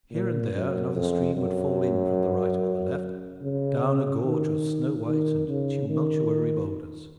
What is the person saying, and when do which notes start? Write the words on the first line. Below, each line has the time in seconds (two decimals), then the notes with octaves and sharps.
Here and there another stream would fall in from the right or the left, down a gorge of snow-white and tumultuary boulders.
0.12 A#2
0.54 F#2
0.95 F2
1.36 F#2
3.42 C#3
4.24 D#3
5.06 D#3
5.48 C#3
5.89 D#3